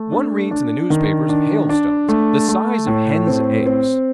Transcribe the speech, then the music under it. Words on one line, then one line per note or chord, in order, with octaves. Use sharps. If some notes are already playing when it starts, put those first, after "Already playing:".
One reads in the newspapers of hailstones the size of hens' eggs.
Already playing: A3
D4
D4
D#3
D4
D4
A3
A3
A2
C4
C4